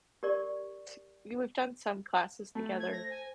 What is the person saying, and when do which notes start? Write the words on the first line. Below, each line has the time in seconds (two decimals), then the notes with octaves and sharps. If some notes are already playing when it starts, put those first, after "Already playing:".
t y we've done some classes together.
0.23 G4 A#4 D5 C#6
2.55 A3
2.80 G#6
2.92 C5 A#6
3.10 G#5